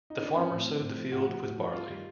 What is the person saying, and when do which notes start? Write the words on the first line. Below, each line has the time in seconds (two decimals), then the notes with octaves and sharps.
The farmer sowed the field with barley.
0.10 D#4
0.22 D4
0.37 C#4
0.50 A2 C4
0.65 F3
0.81 A2
0.96 F3
1.12 A2 F#4
1.27 F3
1.42 A2
1.58 F3
1.73 G2 F4
1.89 D#3 G3